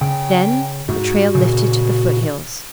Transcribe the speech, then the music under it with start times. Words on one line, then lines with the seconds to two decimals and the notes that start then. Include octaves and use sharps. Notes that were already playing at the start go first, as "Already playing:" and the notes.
Then the trail lifted to the foothills.
0.01 C#3 G5
0.89 G#2 F#4
1.35 A#2 C#3